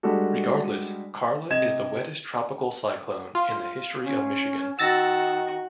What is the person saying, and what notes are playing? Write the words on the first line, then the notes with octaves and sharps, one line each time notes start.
Regardless, Carla is the wettest tropical cyclone in the history of Michigan.
G3 G#3 D4 F#4 A4
C3 D#5 G#6 E7
F4
C#4
D#3 F#4 E6 A6 A#6